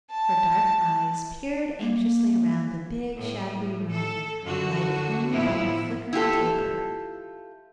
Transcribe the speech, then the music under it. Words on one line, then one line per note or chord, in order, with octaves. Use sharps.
Her dark eyes peered anxiously around the big shadowy room, lighted only by her flickering taper.
A5
A#3
A2
A4
F#2 D3 F#4
A2 F3 B3 E4
E4 F4 G4 A4